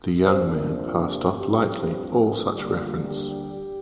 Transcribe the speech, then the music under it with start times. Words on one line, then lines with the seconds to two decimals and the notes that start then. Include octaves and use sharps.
The young man passed off lightly all such reference.
0.24 C3 F3 A#3 D4 C5
0.53 A#4
0.81 F4
1.09 G4
1.38 G2 F3 C4 G4
1.94 G4
2.23 A#4
2.50 D2 D3 G3 A#3 D4 G4
2.78 F4
3.06 G4